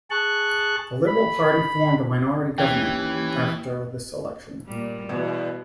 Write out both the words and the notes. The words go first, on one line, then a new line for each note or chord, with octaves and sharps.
The Liberal Party formed a minority government after this election.
G#4 A5 C#6 F#6
B5
D#2 E3 C#4 G4 G5 G#5
A#2 G3
E2 B2